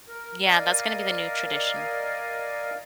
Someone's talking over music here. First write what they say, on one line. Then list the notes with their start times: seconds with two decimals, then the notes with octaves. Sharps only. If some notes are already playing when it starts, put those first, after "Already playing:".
Yeah, that's gonna be the new tradition.
0.08 A#4
0.45 A#4 D5 D#5 F5 G#5